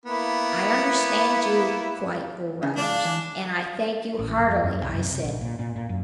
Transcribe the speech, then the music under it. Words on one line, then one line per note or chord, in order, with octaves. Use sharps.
"I understand you quite, Old Rogers, and I thank you heartily," I said.
A#3 B3 E4
C#3
G#2 D4 D5 F5
E3
A1
D1
F2
F#2
C2
F#2
C3
A#1
A#2
A#2
A#2
F#2